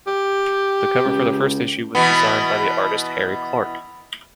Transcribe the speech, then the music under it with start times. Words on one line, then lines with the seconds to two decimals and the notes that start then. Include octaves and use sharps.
The cover for the first issue was designed by the artist Harry Clarke.
0.07 G4
1.05 C#2
1.95 B2 E3 B3